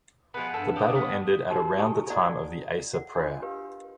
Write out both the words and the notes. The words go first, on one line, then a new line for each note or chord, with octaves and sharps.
The battle ended at around the time of the Asr prayer.
F3 G#3 B3 B4 F#5
G2 A4
D5 F5 G5 D#6
A2 B3
D4 D#4 F#4 G4 A#4
E4 G4 G#5 A5 C#6 D#6
A4 D5 D#5 F#5 A#5 C6
F#5
D4 F4 D#5 C6
G4 A#4 B4 F5